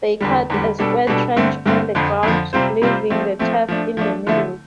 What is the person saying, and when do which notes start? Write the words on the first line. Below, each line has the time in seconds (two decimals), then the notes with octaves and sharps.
They cut a square trench on the ground, leaving the turf in the middle.
0.21 E2 D3 G3
0.50 E2 D3 G3
0.79 B2 G3 D4 A4
1.07 B2 G3 D4 A4
1.36 G2 D3 A3 C4
1.66 G2 D3 A3 C4
1.95 F2 D3 F3
2.23 F2 D3 F3
2.53 C3 G3 C4 F4 C5
2.82 C3 G3 C4 F4 C5
3.10 F3 A3 C4
3.39 F3 A3 C4
3.69 F3 A3 D4
3.97 F3 A3 D4
4.27 D3 F3 A3 E4